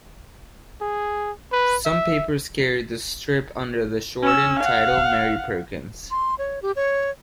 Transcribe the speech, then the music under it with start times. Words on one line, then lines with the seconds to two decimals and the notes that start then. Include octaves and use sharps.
Some papers carried the strip under the shortened title Mary Perkins.
0.81 G#4
1.52 B4
1.85 E5
4.22 C#4 E6
4.59 F5 F#5
6.11 C6
6.38 C#5
6.62 G4
6.76 C#5